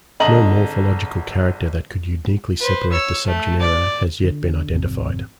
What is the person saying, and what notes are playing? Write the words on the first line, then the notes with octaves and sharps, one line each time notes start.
No morphological character that could uniquely separate the subgenera has yet been identified.
G#1 D3 D#5 A5 A#5 F#7
B4 C5
C#5 E6
A3
D5
D3
G#1 F2 C3